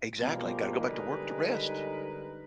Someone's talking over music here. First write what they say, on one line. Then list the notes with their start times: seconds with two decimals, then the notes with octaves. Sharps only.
Exactly. Gotta go back to work to rest.
0.18 B2 F3 G3 G#3 A#3
0.78 D3 G3 G#3 D#4 A#4 B4